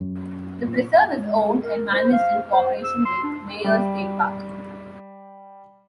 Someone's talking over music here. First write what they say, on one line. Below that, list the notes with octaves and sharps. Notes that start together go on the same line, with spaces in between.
The preserve is owned and managed in cooperation with Mayer State Park.
F#2
A#2
G#3
A#4
C5
F5
C5
E6
C6
D4
G3 G4 D6